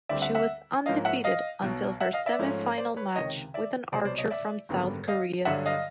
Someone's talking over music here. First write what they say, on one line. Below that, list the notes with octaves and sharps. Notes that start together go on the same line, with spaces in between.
She was undefeated until her semifinal match with an archer from South Korea.
D2 D3 G3 C4 D5 E5
E5 F#5
E5 F#5
G#2 F3 A#3 C#4 D#5 F5
E5 F#5
D#5 F5
B1 B2 F#3
E5 F#5
D#5 F5
D5 E5
G#2 F3 A3 C#4
C5 D5
B4 C#5
C#2 C3 D#3 C#5 D#5
D5 E5
C2 B2 F#3 B3 C5 D5
C5 D5
C#5 D#5
D5 E5
G#1 F#2 D3 G3 B3
D#5 F5
G2 D3 F#3 E5 F#5
D#5 F5